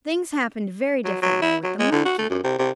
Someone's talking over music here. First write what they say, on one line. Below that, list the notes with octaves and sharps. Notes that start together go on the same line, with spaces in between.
Things happened very differently with the monkey.
F#3
F#3
E4
F#3
G#3
D3
F#4
A3
F#2
C3
C3